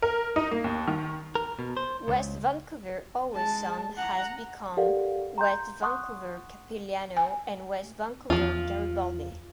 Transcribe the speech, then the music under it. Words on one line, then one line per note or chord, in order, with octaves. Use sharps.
West Vancouver-Howe Sound has become West Vancouver-Capilano and West Vancouver-Garibaldi.
A#4
D#4
A#3
D#2
D#3
A#4
B2
C5
C#2
G#3 A5
F#5 A#5
G4 A4 A#4 D5 F5 F#5
A#5 C6 G6
F#5 C6 C#6 D#6 F#6
G#5
E2 F3 F4